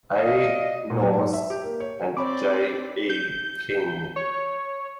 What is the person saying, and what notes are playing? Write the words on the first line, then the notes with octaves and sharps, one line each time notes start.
A. Knauss and J. E. King.
D5 D#5 F5
A#2
F#3
G#2
E5
G4
A#3
C#5
C4 C#5 D5 B5 D6
G6
C#5